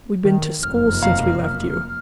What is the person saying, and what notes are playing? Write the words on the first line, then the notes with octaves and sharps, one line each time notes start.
"We've been to school since we left you."
D#3
F1 F#2 A#3 F6
B2 F5 A#5